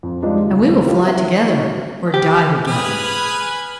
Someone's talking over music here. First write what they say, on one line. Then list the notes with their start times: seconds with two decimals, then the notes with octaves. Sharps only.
And we will fly together or die together.'
0.03 F2
0.22 G#2 F3 G3 G#3 D4 D#4
0.42 D#2 C#3
0.86 F4 G4 A#4
1.07 E5
1.43 D#4 F#4
2.14 G4
2.68 G#4 B4 B5 D#6 F6 G#6